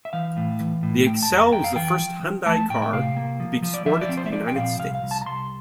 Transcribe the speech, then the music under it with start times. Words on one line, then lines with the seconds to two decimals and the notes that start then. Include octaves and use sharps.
The Excel was the first Hyundai car to be exported to the United States.
0.05 E5
0.13 E3 F5
0.37 A2
0.60 E3
0.83 A2
1.06 A3 G5
1.23 A5
1.30 F2
1.37 A#5
1.53 F2 G5
1.64 F5
1.76 E3 G5
1.99 F3
2.23 F3
2.46 A3 A5
2.70 A2 G5
2.82 G5
2.93 C3 F5
3.17 A#3
3.40 F3
3.62 F3
3.74 D5
3.86 F3 E5
4.01 D5
4.09 C4
4.17 C5
4.26 E5
4.32 F3 D5
4.48 G5
4.56 A#2 F5
4.79 C2 F5
4.95 F5
5.02 C2
5.11 A5
5.21 A#5
5.26 C2 C6